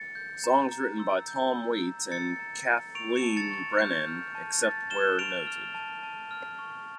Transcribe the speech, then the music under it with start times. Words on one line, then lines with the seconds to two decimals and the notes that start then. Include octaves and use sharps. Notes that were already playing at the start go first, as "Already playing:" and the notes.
Songs written by Tom Waits and Kathleen Brennan, except where noted.
Already playing: A6 C#7
0.15 G6
0.44 A#5
0.72 A#5
1.00 E6
1.28 G6
1.55 E6
1.83 A#5
2.11 A#5 A6 C#7
2.39 A#5
2.68 A#5
2.95 C#6 D7 F7
3.16 C#7 E7
3.23 A5
3.37 A6 C#7
3.51 C#6
3.58 A6
3.79 F6 G6
4.07 F6
4.35 A5
4.63 A5 A6
4.90 F6 E7 G7
5.19 F6 D7 F7
5.47 F6
5.75 A5
6.03 A5
6.31 F6
6.59 C#6